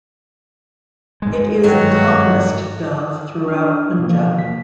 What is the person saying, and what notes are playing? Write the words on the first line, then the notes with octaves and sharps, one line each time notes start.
It is the commonest dove throughout Punjab.
G#2 G#3
G2 D#3 F#3 F#4
D4 F6
B2 F3 A#3
B6